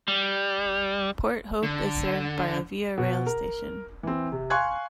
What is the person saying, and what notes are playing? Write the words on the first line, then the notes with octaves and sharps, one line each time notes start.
Port Hope is served by a Via Rail station.
G3
D3
B2
A#4
E3 C4
C3
F5 G#5 C6 C#6 F#6 G#6